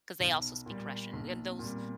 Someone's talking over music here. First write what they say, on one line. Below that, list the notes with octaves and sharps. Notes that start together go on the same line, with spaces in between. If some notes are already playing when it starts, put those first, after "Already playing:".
'cause they also speak Russian, and those
B1 B3
A#2 G3
B1 A#3
C4
A#2 G3
B3